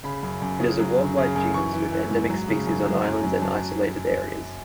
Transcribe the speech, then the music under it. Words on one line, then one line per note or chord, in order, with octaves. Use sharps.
It is a worldwide genus with endemic species on islands and isolated areas.
C#3 B5
F#2
F#2
C#3
F#3
F#2
C#3
F#2
E3 C#6
E3
E3
G#2
F#3
C#3
F#2
F#3
F#2 G#5
F#2
F#3 A5